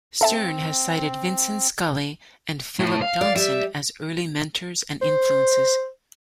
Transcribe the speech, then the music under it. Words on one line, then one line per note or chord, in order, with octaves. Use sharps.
Stern has cited Vincent Scully and Philip Johnson as early mentors and influences.
C4 A4 E5 A5
A2
F5
D5
G3 E5
C5